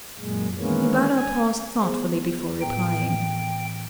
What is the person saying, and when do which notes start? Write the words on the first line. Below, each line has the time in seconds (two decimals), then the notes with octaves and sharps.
Ibarra paused thoughtfully before replying.
0.19 F#2 A#2 G#3
0.58 D#3 E3 G#3 A#3 B3 C#4
1.16 G#5
1.82 B3 G#4 C5
2.61 A2 G5 A#5
3.01 E3